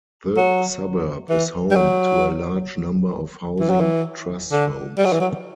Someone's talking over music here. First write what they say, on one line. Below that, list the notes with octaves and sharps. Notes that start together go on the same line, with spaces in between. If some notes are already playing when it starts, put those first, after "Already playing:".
The suburb is home to a large number of Housing Trust homes.
F#3
E3
G3
F#3
E3
F#3
E3
D3
G3
F#3
E3
F#3